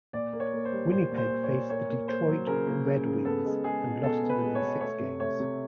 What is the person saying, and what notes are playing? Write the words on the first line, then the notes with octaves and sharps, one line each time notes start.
Winnipeg faced the Detroit Red Wings and lost to them in six games.
A#2 D5
A#3
C#5
A#3
C5
G3
A#2 C5
A#2
C5
A#2
C#5
A#2
A#3 C#5
A#3
A#3 C5
F#3
C#3 A#4
A#3
C#3
C#3
B3 A4
G#3
G#3 G#4
B2
B2 A4
B3
B4
G#3
C#5
B2
A3 C#5
C3
A3 C#5
C3